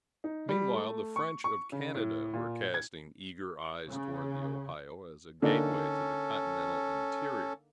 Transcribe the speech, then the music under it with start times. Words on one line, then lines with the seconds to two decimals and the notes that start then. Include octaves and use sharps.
Meanwhile, the French of Canada were casting eager eyes toward the Ohio, as a gateway to the continental interior.
0.24 D#4
0.49 G3
0.74 A3
1.16 C#6
1.44 C#6
1.72 C#3
1.94 A2
2.34 A#2
2.74 G#6
3.89 C#3
5.42 D3 A#3 C#4 D#4 A4